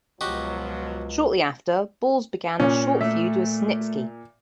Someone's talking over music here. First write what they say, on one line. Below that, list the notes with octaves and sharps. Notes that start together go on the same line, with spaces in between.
Shortly after, Balls began a short feud with Snitsky.
C#2 B2 F3 F#3 D#4 F#4 G4
A#2 C#4
A3 E5